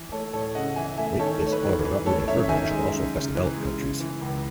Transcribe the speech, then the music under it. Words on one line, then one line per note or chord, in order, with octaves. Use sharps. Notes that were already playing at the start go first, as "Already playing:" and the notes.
Rape is, however, not only a third world issue but also affects developed countries.
Already playing: E3
A3 A4 C#5
A2 A4 C#5
C#3 D#5 F#5
E3 E5 G#5
A3 E5 G#5
D#3 A4 C#5
A3
C#5
B4
D#2
E3 B4
A3 A4 C#5
F#2 C#5 E5
D#3 E5 G#5
G#3
F#2
C#3
E3
G#3
C#3
E3
C#2